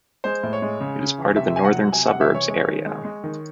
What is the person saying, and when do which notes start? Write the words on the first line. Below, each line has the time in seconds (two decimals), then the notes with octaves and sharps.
It is part of the Northern Suburbs area.
0.24 G#3 C5
0.43 A2
0.53 C#5
0.62 G#3
0.80 C#3
1.00 C#3
1.18 E3
1.36 C3 E5
1.56 C3 G#5
1.65 F#5
1.74 F#3
1.92 C3 G#5
2.07 C3 F#5
2.21 E5
2.30 E3 C#5
2.49 G#3
2.67 D#3
2.86 G#3
3.05 G#3
3.24 D#3